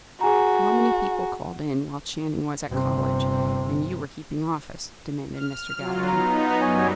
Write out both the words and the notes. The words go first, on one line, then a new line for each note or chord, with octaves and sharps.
"How many people called in, while Channing was at college, and you were keeping office?" demanded Mr. Galloway.
F#4 G#4 G#5 A#5
G1 C3
F6
F#3 F4
B3 D#4 A#5
F#2 F#3 G3 C#5 D#5 G#5